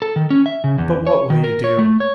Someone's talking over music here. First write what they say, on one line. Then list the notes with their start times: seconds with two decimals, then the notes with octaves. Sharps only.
"But what will you do?"
0.02 A4
0.16 D#3
0.30 C#4
0.46 E5
0.64 C#3
0.78 E2
1.07 C#5
1.30 D#3
1.44 A#4
1.64 C#5
1.79 A3
2.00 C#5